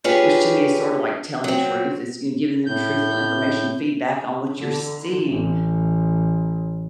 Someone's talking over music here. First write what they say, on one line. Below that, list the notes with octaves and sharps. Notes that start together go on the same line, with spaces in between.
which to me is sorta like telling truth is you giving them truthful information feedback on what you're seeing,
D4 F4 G4 G#4 B4 C#5
F#3 C4
A2 G6
D3
A1